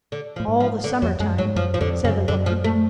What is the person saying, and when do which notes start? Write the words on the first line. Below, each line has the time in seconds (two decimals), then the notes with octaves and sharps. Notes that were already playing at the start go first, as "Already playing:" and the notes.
'All the summer-time,' said the woman.
0.12 D3
0.36 F3
0.40 A2
0.48 G#2
0.60 F3
0.84 D3
1.02 F2 F#3
1.20 F#2 G#3
1.38 G#2 F#3
1.56 F#2 F3
1.74 F3
1.81 F2 D3
2.04 F#2 C#3
2.28 F#2 D3
2.46 F3
2.64 A3